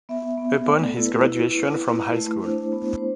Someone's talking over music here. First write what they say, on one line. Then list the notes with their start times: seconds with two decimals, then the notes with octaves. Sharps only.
Upon his graduation from high school.
0.09 B3 E5
0.38 B3
0.67 A3 D5
0.87 A4
0.97 E4
1.06 B4
1.26 E4
1.56 E4
1.86 E4
2.14 A3
2.44 D4 C5
2.73 B3
2.98 C5